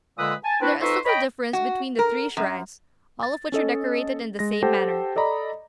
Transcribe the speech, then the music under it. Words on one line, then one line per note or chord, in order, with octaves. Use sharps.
There is little difference between the three shrines, all of which are decorated in the same manner.
A#2 D3 G#3 B4 D#6 E6
G#5 A5
C4 D4 E4 F#4 B4
F2 D#4 B4 C5 C#6 E6
C#5 D#5 G5 B5
F#4
A#4
F#2
A6
C#4 A4 D#5
G#3 A#6
G4 A4 C5 F#5 G5 A5
A4 D5 D#5 A#5 B5